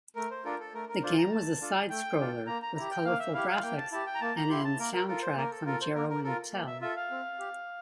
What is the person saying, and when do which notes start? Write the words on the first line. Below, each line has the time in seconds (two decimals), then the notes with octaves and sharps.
The game was a side-scroller with colourful graphics and an soundtrack from Jeroen Tel.
0.16 A3 A#4
0.31 C5
0.45 D4 F4 A4 A#4
0.60 A4
0.74 A3 A#4
0.89 A#4
1.03 D4 F4 A4 C5
1.18 A#5
1.31 A3 A5
1.61 D4 F4 A4
1.89 A3 G5
2.19 D4 F4 A4
2.47 A#3 A#5
2.62 A#5
2.76 E4 G4 A#5
2.91 G5
3.05 A#3 F5
3.19 E5
3.34 E4 G4 F5
3.48 F5
3.63 A#3 G5
3.77 A5
3.92 E4 G4 A5
4.06 G5
4.15 A#5
4.21 A#3 A5
4.36 A#5
4.49 E4 G4 C6
4.65 A5
4.79 A#3 A#4
4.93 A#4
5.08 F4 A4 A#4
5.22 C5
5.36 A#3 A#4
5.52 A4
5.66 F4 A4 A#4
5.81 C5
5.95 A#3 A#4
6.09 A#4
6.24 F4 A4 A#4
6.52 A#3
6.66 E5
6.81 F4 A4 E5
6.96 F5
7.11 C4
7.39 G4